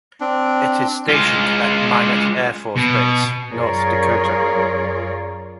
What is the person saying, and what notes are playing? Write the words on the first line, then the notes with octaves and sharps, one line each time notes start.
It is stationed at Minot Air Force Base, North Dakota.
C4 D4
G#3 F4
B2
F#2 F4 G#4 A#4 C#5 D5